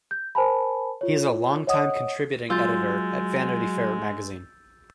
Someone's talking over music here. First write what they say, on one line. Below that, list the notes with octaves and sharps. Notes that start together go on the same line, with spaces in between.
He is a longtime contributing editor at "Vanity Fair" magazine.
G6
A#4 C5 G#5 A5 B5
F4 C#5
C#5 D#5 F#5 D#6
F#3 G#3 F4 E6 G6 A6